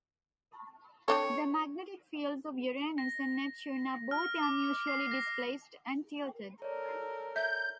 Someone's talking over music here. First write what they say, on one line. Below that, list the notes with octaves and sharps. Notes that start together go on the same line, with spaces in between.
The magnetic fields of Uranus and Neptune are both unusually displaced and tilted.
C4 D4 A4 C#5
A#6
F6
D6
C7
A#6
A4 A#4 C#5 D5
E5 G6